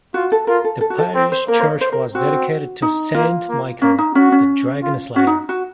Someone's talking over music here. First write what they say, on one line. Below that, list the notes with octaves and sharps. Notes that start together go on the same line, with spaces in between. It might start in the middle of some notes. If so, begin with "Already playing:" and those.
The parish church was dedicated to Saint Michael, the dragon slayer.
F4 F#4
A4
F4 A#4
A4
A4
F#4
A4
C4 C5
C5
A#3 A#4
C5
C#5
C5
A#4
C4 F#4
D#4
A#3 F4
A#3
A#3 C#4
D#4
C#4 F#4
C#4
F4
C#4 F#4
D#4
F#4